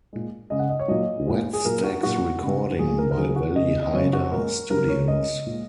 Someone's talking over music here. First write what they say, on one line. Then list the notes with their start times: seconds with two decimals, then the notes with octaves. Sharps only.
Wattstax recording by Wally Heider Studios.
0.13 A#2 G#3
0.50 C#3 G#3 D#5
0.59 F#5
0.70 D#5
0.79 C#5
0.88 A#2 F#3 D#5
1.27 A#2 G#3
1.53 G#4
1.64 A#2 F#3 A#4
1.84 F#4
2.03 A#2 F#3 F#4
2.41 C#3 G#3
2.79 A#2 F#3 G#4
2.99 A#4
3.11 A#4
3.17 C#3 F#3 G#4
3.36 F#4
3.56 C#3 G#3 D#5
3.82 D#5
3.93 C#3 F#3 C#5
4.13 F#4
4.32 A#2 G#3 A#4
4.70 C#3 F#3 A#4
4.88 C#5
5.08 C#3 G#3 D#5
5.46 A#2 G#3